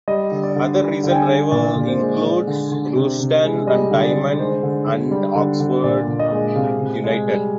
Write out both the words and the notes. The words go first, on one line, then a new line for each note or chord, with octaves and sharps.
Other recent rivals include Rushden and Diamonds and Oxford United.
G3 D#5
D3
D5
D3
G3
D3
G5
G#5
D3
A#2 D5
A#2
C5
G#3
G#3 D5
D3
D3
C3
C3
G#3
G3 D#5
D3
D5
D3
G#3 C5
D3
D3
G3
D3
D3
A#2 D5
A#2
D#5
G#3
C3 F5
C3
G#3
G3